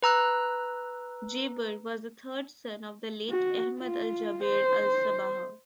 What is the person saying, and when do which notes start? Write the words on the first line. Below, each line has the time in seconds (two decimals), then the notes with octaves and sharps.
Jaber was the third son of the late Ahmad Al-Jaber Al-Sabah.
0.03 B4 A#5 E6 F#6
3.30 F#4
3.81 F4
4.44 C5